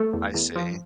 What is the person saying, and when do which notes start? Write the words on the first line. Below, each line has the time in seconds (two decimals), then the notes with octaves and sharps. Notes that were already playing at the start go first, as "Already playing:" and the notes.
I see.
Already playing: A3 A4
0.13 E2
0.34 E2
0.56 F3